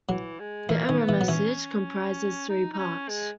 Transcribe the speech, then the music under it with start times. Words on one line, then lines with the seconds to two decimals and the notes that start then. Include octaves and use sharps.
The error message comprises three parts.
0.09 E3 F#3
0.39 G#3
0.69 E3 A#3
0.88 D#3 C#4
0.99 B3
1.09 E3
1.21 F#3
1.28 E3 C#4
2.49 D#4
2.73 D#4
2.78 C#4
3.09 G#3